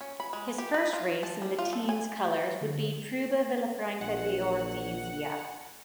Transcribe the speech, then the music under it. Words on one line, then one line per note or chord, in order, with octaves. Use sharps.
His first race in the teams colours would be Prueba Villafranca de Ordizia.
C#4
B5
G#3
G4
B4
F4
A5
G3
F4
A4
G#5
G6
F5
D3
A#1 F#5